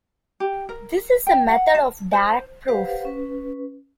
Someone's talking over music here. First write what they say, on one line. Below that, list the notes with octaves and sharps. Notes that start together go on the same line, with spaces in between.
This is a method of direct proof.
G4
A#4
G5
F#5
A5
C5
G4 B4 C5 F5 F#5
C#4 B4